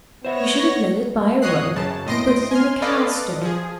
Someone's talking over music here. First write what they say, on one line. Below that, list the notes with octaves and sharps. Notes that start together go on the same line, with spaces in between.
You should have led it by a rope, and put it in the cow-stall.'
B3 C5 C#5 E5 A#6
F2 C#5 D#5 D#6 F#6 C7
F#2 C#3 A5
A2 D#5 C6 A#6 D7
G#5 C6 F6
A4 B4 D5 D#5 F5
F3 G#4